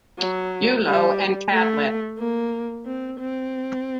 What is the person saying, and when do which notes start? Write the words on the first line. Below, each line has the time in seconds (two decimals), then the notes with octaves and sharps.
Bulo and Cadlit.
0.18 F#3
0.86 G3
1.52 A3
2.18 A#3
2.86 C4
3.19 C4